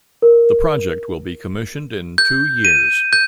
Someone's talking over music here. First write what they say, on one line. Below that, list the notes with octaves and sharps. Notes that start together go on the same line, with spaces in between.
The project will be commissioned in two years.
A#4
G6
D#7
G6